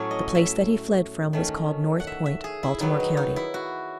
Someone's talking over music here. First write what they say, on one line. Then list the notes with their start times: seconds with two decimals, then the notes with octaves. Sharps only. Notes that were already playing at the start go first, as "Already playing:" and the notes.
The place that he fled from was called North Point, Baltimore county.
Already playing: A2 F#3 A3 C#4 C#5
0.11 D#5
0.35 E5
1.33 D#3 A3 C#4
2.00 F#5
2.07 E5
2.26 E5
2.44 G#4
2.63 E4
2.80 D#3 F#3 B3 D#4
3.00 D#4
3.17 D#4
3.36 E4
3.54 F#4